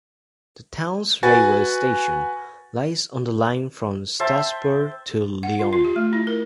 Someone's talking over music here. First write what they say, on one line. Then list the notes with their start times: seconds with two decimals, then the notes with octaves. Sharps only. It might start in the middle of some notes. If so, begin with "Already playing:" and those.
The town's railway station lies on the line from Strasbourg to Lyon.
1.23 F#4 B4 G#5 A6
4.20 C5 E5 G5 A5
5.43 F#5
5.59 F4
5.73 F4
5.85 G4
5.96 A3
6.13 E4
6.27 A#4